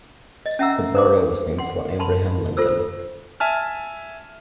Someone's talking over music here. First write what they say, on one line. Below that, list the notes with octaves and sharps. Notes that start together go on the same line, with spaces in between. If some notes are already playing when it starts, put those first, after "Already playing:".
The borough was named for Abraham Lincoln.
D#5
C#4 E5 F#5 A#5 E6
A#4 C5 D6
F#5 C6
A5 B5 C6
F4 A4 C5 E6
E5 G#5 A5 F6